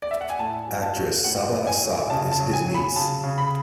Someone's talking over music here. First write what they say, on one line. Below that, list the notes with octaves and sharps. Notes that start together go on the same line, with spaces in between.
Actress Saba Azad is his niece.
D5
E5
F#5
G#5
A2 A5
F#3
A5
F#3
A2 F#5
A2
G#5
F#3
C#3 A5
A5
F#3
G#5
F#3
B5
C#3 A5
C#3
B5